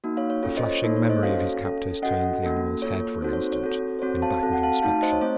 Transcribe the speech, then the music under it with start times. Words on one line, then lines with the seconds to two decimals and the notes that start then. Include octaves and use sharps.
A flashing memory of his captors turned the animal's head for an instant in backward inspection.
0.04 A#3 D#4 F#4
0.17 C#5 F5
0.30 C#5
0.43 C#4 F4 A4 C#5
0.57 C5 D#5
0.70 C#5
0.84 A#3 D#4 A4 C5
0.96 C#5
1.09 C5 D#5
1.23 C#4 F#4 A4 C#5 F5
1.63 C#4 A4
2.02 C#4 F#4 A4 D#5 F#5
2.43 A#3 C#4 F#4 A4
2.82 A#3 F4 A4 C#5
3.22 C4 D#4 F#4 A4 C5
3.33 C#5
3.52 C#5
3.62 C4 F#4 A4
3.99 C5
4.02 C4 F#4 A4 C#5
4.22 F5 A5
4.42 C4 F#4 A4 A5
4.53 F#5
4.63 F5 A5
4.82 A3 D#4 F#4 F5 A5
5.02 C5 D#5
5.12 C#5
5.21 A3 C4 C5